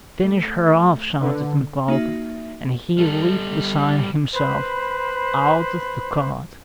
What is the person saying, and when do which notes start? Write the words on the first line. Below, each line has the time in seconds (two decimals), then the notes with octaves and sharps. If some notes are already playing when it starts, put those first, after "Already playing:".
"Finish her off," shouted Mikolka and he leapt beside himself, out of the cart.
0.23 A3
1.21 D3 B4 D5
1.88 A#3 D#4 F#4 E5
2.98 G3 A4
4.34 B4 C5 B5